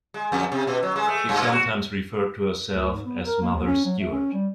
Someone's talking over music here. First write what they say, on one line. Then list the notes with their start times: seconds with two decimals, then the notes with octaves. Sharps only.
She sometimes referred to herself as Mother Stewart.
0.14 G#3
0.32 F2
0.52 C3
0.67 B2
0.83 F#3
0.96 G#3
1.08 A3
1.29 G2
1.52 F#4
2.74 D2
2.92 G#2
3.05 B3
3.25 A#4
3.41 A#3
3.54 D#2
3.67 C#4
3.85 F#3
3.99 A3
4.12 C#4
4.33 G3